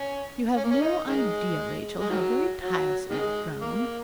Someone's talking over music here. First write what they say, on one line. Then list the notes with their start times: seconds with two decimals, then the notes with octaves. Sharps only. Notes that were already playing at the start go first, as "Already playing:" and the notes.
'You have no idea, Rachel, how very tiresome you've grown.'
Already playing: C#4
0.57 C#4
0.64 A#3
0.71 C#4
0.82 D#4
1.08 D#3 G#3
2.00 G#3
2.10 D#3 F#3
2.60 F#3
3.10 D#3 G#3
3.62 A#3